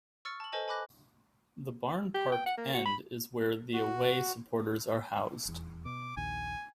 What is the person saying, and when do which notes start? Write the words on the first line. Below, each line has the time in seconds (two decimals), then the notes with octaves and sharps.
The Barn Park End is where the away supporters are housed.
0.25 C#6 E6 F6 A6 C#7
0.40 A5 F#7
0.52 A4 B4 C5 D#5 G#5 A5
0.68 G#5 B5 D6 F#6 A#6
2.15 G4
2.32 G5
2.46 F#5
2.58 A#3
2.74 F#4
2.86 B5
3.73 F#4
5.45 D#1 E2
5.85 B2 D6
6.17 A#1 D#2 G#5